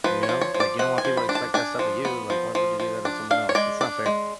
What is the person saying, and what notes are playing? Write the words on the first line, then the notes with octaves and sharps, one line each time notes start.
You know? Like, you don't want people to expect that stuff of you, like, why would you do that to someone else? It's not fair.
F3 B4
C#5
F3
C#5
F3
D5
F3 F#5
G#5
F3
B5
D4
A5
D4 G#5
F3
B3
F3
F3
F3
D4
D4 F5
C#5
G#3 D5
D4 D5
G#3